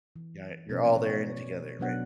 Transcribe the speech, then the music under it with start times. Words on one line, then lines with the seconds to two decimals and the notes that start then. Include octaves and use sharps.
ya you're all there in it together, right?
0.16 E3
0.69 B2 F3 C#4 A#4 B4
0.95 A3 C#5 D5
1.79 B2 F#3 B3 D4 F#5